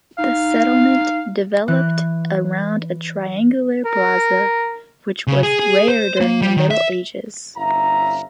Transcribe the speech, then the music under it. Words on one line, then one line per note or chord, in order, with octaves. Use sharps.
The settlement developed around a triangular plaza, which was rare during the Middle Ages.
D#4 F5
E3 F#6
A#4
C#3
G#4
G#4
C5
A#3
G3
D#3
E5
G1 C#4 E4 E5 F5 A#5